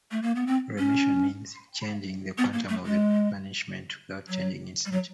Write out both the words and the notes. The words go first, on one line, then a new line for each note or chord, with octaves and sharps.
Remission: means changing the quantum of the punishment without changing its nature.
A3
A#3
B3
C4
C#4
B3
A#3
A3
G#3
F#3
G3
F#3